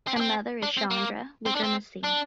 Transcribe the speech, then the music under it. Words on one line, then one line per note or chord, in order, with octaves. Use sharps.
Her mother is Chandra Wickremasinghe.
C4
D4
C4
D4
C4
A#3
C4
D4
C4
D4